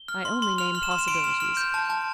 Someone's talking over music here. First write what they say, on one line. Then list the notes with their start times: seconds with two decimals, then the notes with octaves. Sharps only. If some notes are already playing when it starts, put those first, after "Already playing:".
I only name possibilities.
Already playing: G7
0.08 F6
0.25 C6
0.42 C6
0.58 F6 F7
0.75 F6
0.83 E7
0.91 C6
0.99 E7
1.08 C6 D7
1.24 F6
1.40 F6
1.57 G6
1.74 A5
1.90 A5